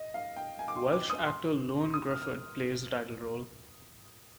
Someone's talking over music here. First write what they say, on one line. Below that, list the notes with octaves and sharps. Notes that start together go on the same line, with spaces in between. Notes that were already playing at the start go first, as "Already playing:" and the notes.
Welsh actor Ioan Gruffudd plays the title role.
Already playing: D#5
F5
G5
G#5
D6
C6
D6
D#6
C6
D#6
F6
F6